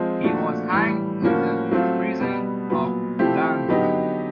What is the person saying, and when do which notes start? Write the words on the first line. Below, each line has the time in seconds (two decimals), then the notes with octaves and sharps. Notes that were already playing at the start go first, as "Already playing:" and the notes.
He was hanged in the prison of Landsberg.
Already playing: F3 G#3 C4
0.24 A#2 F3 A3 D4 F#4
0.73 A2 E3 G3
1.22 A2 F3 A#3 C#4 F#4
1.71 F#3 A3 C4 F4
2.21 B2 G3 B3
2.70 A#2 F#3 B3
3.19 F3 A3 C4 E4 G4
3.68 D3 F#3 B3 D#4 G4